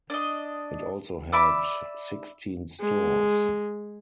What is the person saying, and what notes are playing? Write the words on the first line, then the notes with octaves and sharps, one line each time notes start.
It also had sixteen stores.
D4 D#5
D5 E5 B5 D6
G#3